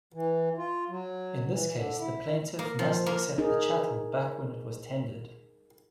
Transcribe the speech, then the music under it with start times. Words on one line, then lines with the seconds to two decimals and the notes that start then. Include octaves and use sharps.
In this case, the plaintiff must accept the chattel back when it was tendered.
0.14 E3
0.57 F4
0.89 F#3
1.50 E3
1.73 D3
1.98 E4
2.59 A#3
2.79 F3
3.06 A#3
3.38 D#4 G#4 A#4